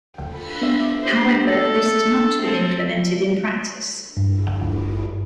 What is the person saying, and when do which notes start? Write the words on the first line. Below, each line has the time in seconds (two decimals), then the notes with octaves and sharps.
However this has not been implemented in practice.
0.62 B3 D4 E5
1.03 G4 C5
1.45 A4
2.42 C4 A4
4.17 G2